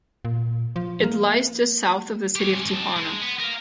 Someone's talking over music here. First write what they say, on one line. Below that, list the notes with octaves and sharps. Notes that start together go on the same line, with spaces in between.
It lies just south of the city of Tijuana.
A#2
F3
A#3
G4 C#5
G#3 C4
D#4 A5
G#3
B3
A#4 F5